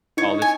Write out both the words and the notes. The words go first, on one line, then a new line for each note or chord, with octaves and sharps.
Oh, this
D#4 C#5
G#5